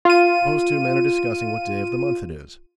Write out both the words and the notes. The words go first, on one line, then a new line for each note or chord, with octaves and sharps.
Suppose two men are discussing what day of the month it is.
F4 D#7